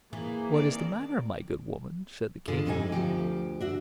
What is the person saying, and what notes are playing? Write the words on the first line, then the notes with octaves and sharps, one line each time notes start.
"What is the matter, my good woman?" said the King.
E3 A#3 G#4
D#3 C4 D5
A#2 D3 F4 G#4
F2 G#2 C3 G3 D#4 G#5
D2 A#2 F3 G4
D4 F#4 E5